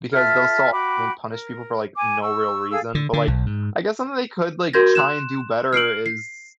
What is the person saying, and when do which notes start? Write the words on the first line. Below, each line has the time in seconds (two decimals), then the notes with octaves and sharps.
because they'll so often punish people for, like, no real reason, but like, I guess something they could, like, try and do better is
0.12 F4 A4 E5 F6
0.72 F#4 G5 B5 D6
1.27 A#4
1.95 G#5 D6
2.21 C#6 E6
2.70 G#4 A4 F5 E6
2.95 D3
3.13 D3
3.28 B1
3.46 G#2
4.73 F#4 A#4 C6 G6 G#6 A#6
4.95 C6 F#6 E7
5.73 F6 C7 D7 F#7
6.06 C7